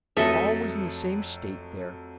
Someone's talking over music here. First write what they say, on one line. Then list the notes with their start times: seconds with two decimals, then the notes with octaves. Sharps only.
All was in the same state there.
0.17 F2 F#3 A3 A4 D#5 E5